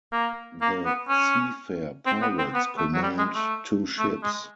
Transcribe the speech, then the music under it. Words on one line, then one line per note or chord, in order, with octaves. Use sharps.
The Seafair Pirates command two ships.
A#3
A#3
B3
C#4
C4
B3
C4
B3
A3
F#3
G3
G#3
A3
A3
G#3